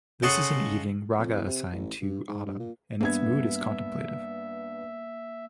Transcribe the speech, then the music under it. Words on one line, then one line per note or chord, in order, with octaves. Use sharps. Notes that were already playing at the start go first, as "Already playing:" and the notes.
This is an evening raga assigned to autumn and its mood is contemplative.
C#3 A4 D#5 F#5 C6 C#6
F2
E2
C3
A1
G2
G#2
G2
A#2
G2 A#3 B3 E5 G#6